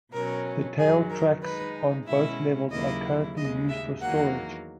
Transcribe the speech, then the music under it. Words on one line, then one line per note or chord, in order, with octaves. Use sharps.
The tail tracks on both levels are currently used for storage.
B2 F#3 C#4 A#4
F#2 D#3 F#3 G#4
A#4
D#3 G#3 D#4 B4
B2 G#3 C#4 E4 E5
D#2 C#3 F#3 A#3 E4 D#5
D#2 C#3 G#3 D#5
E5
E2 D#3 F#3 A#3 F#5